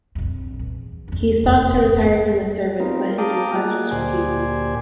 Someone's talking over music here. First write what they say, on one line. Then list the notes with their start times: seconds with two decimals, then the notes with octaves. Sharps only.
He sought to retire from the service but his request was refused.
0.15 A#1 F2
0.59 E2
1.08 E2 D4
1.44 F1
1.77 D1 F2
2.80 B3 C4 D#4 F4 A#4
3.18 F5 G5 A5 A#5 D6 D#6
3.54 A#3 F4 G#4 D#5 F#5
3.91 D2 A#2 G4 C5 D5 G#5